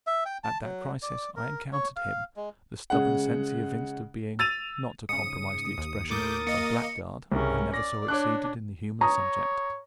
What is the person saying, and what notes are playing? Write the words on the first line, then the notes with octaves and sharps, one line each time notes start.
At that crisis, I encountered him; the stubborn sense he evinced of being--not to compromise the expression--a blackguard, I never saw exceeded in the human subject.
E5
G5
A5
F#3
D5
A#4
C#5
F5
G#3
C#3 G#3 F#5
E6 A6 D#7 F7
G#2 C#3 D#6 C#7
D#2
A2 A#4 D6 D#6 G6 A6
A#3 D#5 C#7
C2 C#3 C#4 A#4
D5 A#6
D4 C#5 D6 F#6
C#5 A#5 D#6